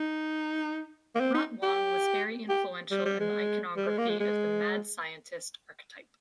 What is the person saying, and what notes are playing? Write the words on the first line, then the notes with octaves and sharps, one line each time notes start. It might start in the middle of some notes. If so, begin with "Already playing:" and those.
Rotwang was very influential in the iconography of the mad scientist archetype.
Already playing: D#4
A#3
C4
D#4
G4
G4
G3
G3
G#3
G3
G#3
A#3
G#3
G#3